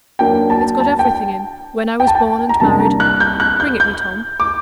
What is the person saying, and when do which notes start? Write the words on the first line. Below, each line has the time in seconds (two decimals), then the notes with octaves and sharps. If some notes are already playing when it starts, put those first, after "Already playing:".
"It's got everything in,--when I was born and married; bring it me, Tom."
0.19 F#3 A#3 D4 G5
0.50 A5
0.80 A5
0.99 G5
2.00 G5
2.07 A5
2.15 G5
2.49 A#5
2.60 C3 G3 A#3 D4 A5
2.80 A#5
3.00 F#6
3.20 G6
3.40 F#6
3.60 G6
3.80 G6
4.40 D6